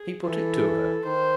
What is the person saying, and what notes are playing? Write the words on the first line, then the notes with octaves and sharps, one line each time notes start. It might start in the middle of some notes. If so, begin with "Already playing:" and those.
He put it to her.
Already playing: G#4
E3 A4
D#3 C5